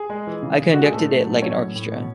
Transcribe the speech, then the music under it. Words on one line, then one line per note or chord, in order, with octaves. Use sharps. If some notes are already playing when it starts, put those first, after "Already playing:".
I conducted it like an orchestra.
Already playing: G#4
G#3
E3
C#3
C#3
G#3 F#4
G#4
A2 A3 A4
A2
F#3
F#3 C#4 C#5
A2
A2
B2